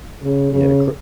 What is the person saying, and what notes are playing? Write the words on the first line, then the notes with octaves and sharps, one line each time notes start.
Yeah, cro
C#3
C#3